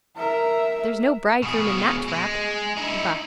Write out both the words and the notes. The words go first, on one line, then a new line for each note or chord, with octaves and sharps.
"There's no bridegroom in that trap."
A#4 E5
B2 G#4
G#3
D#4 E4